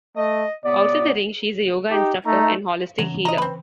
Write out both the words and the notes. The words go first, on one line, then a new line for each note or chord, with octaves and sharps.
Outside the ring, she is a yoga instructor and holistic healer.
A3 D#5
A2 C3 B3 D5
D#4 G4
A3 D#4 A#5
C#3 E3 F#3 C#4
D#5 A#5
C4 B4